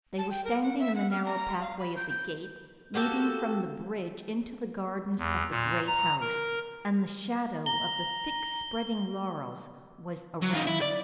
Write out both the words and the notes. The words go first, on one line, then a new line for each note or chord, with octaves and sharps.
They were standing in the narrow pathway of the gate leading from the bridge into the gardens of the Great House, and the shadow of the thick-spreading laurels was around them.
A5
G5
A#4
F#5
E5
F#5
F6
A#5
F5
B5
G6
G6
A#3 F#4 G4 A4
E2
A#2
A#5
A#4
A#5 G7
F#3
D#4 F4
E4
D5